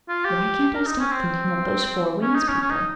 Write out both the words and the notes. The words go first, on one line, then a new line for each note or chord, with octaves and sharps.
Why can't I stop thinking of those Four Winds people?
F4
G4
A#4
D#4
C#4
C4
C#4
D#4
C#4
C#4
D#4